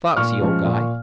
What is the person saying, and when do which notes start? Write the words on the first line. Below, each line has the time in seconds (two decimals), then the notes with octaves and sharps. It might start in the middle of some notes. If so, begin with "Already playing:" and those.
Foxy old guy.
0.16 A#2 C#6 F6
0.41 F3 G#3 C#4
0.65 A#2